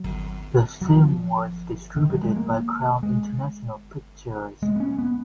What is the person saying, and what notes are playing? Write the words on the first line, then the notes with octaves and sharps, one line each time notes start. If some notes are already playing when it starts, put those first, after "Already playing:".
The film was distributed by Crown International Pictures.
Already playing: F#3
F#3
F3
D#3
F#3
G#3
A#3
G#3
G#3
B3
C#4
B3